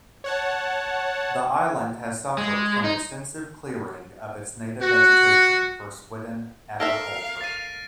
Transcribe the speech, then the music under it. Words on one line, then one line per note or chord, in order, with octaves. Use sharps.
The island has suffered from extensive clearing of its native vegetation for swidden agriculture.
C#5 F#5 A5
G#3
D#4
F#4
A4 A#4 E5 F5 F6 A#6 D7
A6 C7 D#7